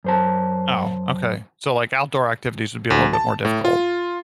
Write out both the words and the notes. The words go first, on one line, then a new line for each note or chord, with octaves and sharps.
Oh, okay, so, like outdoor activities would be a little bit more difficult.
F#2 C5 A5
D2
A5
A2
F4